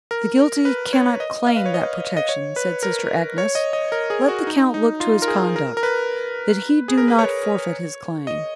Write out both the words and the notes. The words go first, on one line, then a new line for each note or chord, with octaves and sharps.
'The guilty cannot claim that protection!' said sister Agnes, 'let the Count look to his conduct, that he do not forfeit his claim!
A#4
B4
C#5
D#5
F5
B4
C#5
D#5
D#5
C#5
B4
A#4
C#5
D#5
D#5
A#4
G#4
F#4
D#4
D#4
F4
A#4
G#4
A#4
A#4
B4
G#4
A#4
B4
C#5
D#5